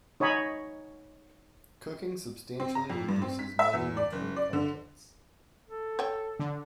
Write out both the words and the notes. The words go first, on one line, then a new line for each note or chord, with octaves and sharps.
Cooking substantially reduces many nutrient contents.
D#4 C#5 D#5 G#5 B5
C4
A#5
F2
G2
C4
B6
E5
E2
D5
F#1
D5
D3
A4
C#5 G5
D3